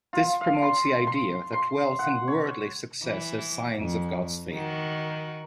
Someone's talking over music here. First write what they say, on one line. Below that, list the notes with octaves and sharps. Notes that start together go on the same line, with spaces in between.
This promotes the idea that wealth and worldly success are signs of God's favour.
F4
F5
C6
C6
C6
F#5
C#5
E3
F2
D#3 F#4